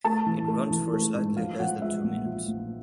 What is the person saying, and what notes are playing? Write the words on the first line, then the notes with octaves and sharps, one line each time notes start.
It runs for slightly less than two minutes.
A3 A5
E3
A3
E3
A3
G#2
F3 F5
F3 F#5
G#3 E5
A#1
F3
A#1